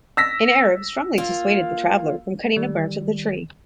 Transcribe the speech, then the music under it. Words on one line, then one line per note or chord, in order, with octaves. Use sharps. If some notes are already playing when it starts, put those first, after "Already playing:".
An Arab strongly dissuaded the traveller from cutting a branch of the tree.
E6 A#6 B6
A#3 F4
D#3 G3